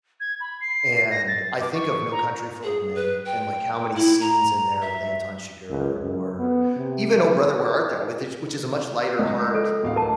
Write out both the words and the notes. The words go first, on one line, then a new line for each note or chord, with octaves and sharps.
and I think of No Country for Old Men and, like, how many scenes in there with Anton Chigurh, or even Oh Brother, Where Art Thou? with ish which is a much lighter heart
G#6
B5
C7
A#6
A6
D6
C#6
A#5
G#4
B4
G5
E4
A#5
E5
C#2
F#2
B3
C3
C#2
A4
A1 D2 F5
A#4 A5